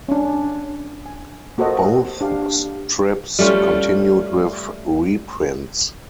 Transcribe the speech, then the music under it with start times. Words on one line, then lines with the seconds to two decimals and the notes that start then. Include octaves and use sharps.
Both strips continued with reprints.
0.09 C#4 D4
1.06 G#5
1.58 A#3 F#4 A4 C5 D#5
2.21 D4 G4 F5
3.39 G3 A3 C#4 F4